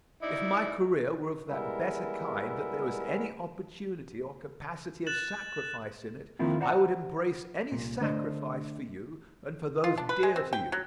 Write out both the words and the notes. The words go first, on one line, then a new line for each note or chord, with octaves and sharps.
If my career were of that better kind that there was any opportunity or capacity of sacrifice in it, I would embrace any sacrifice for you and for those dear to you.
D#4 E4 D5
G3 G#3 B3 E4 A#4 E5
F#6 A6 E7 F#7
D#3 F3 A#3 C4 E4 F4
C5 D5 F#5 A5 A#5
C2 A#2
D3 A3 D4 C5 D#5
F4
D4
B4
G#3
C4
G5
F#3